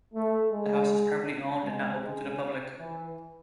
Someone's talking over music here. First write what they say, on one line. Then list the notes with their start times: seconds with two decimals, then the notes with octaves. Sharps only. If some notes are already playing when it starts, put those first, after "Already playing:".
The House is privately owned and not opened to the public.
0.14 A3
0.52 G#3
1.64 G#3
2.03 G#3
2.78 E3